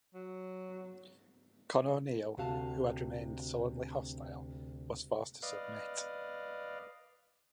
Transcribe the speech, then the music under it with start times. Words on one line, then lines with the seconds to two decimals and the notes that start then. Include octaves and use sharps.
Conn O'Neill, who had remained sullenly hostile, was forced to submit.
0.14 F#3
2.37 D2 C3 F#4 F5 A5
5.43 B4 D5 D#5 F5